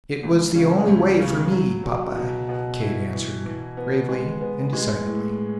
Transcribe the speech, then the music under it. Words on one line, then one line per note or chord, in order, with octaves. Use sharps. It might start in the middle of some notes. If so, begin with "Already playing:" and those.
"It was the only way for me, papa," Kate answered, gravely and decidedly.
C#2
C#3
C#2
C#3
F#3
F#3
B2
B2
E4
E3
E3
B3
G#3
B3
G#3
A2